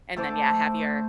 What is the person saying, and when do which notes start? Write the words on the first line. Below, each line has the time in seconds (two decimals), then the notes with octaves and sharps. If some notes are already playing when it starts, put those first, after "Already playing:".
and then, yeah, have your
0.17 A3 A4 C5 D6